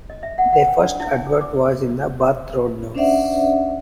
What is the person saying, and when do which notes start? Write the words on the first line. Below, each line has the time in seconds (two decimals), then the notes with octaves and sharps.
Their first advert was in the "Bath Road News".
0.10 D#5
0.23 E5
0.38 F#5
0.53 F#5
0.68 G5
0.83 D4
1.00 E4
1.12 G#5
1.27 G#4
1.41 D6
2.95 C#4 D4 C5 D5 E5 F#5